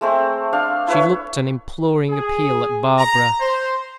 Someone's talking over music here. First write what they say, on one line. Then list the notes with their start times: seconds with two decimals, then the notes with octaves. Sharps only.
She looked an imploring appeal at Barbara.
0.01 G#3 A3 C4
0.53 D4 F5
0.88 E4 B4 C#5
2.10 G#4
2.99 A#5
3.40 C5